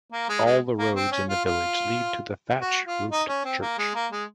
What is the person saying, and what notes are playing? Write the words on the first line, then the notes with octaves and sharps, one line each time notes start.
All the roads in the village lead to the thatch roofed church.
A#3
G#3
G#3
A#3
C4
C#4
F4
F4
F#4
F4
D#4
C#4
C4
A#3
G#3
A#3
G#3